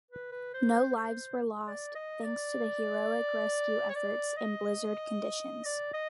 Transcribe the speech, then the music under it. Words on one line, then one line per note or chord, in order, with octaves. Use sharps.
No lives were lost, thanks to heroic rescue efforts, in blizzard conditions.
B4
B4
C5
C5
D5
D#5
D5
C#5
D5
D#5
D5
D#5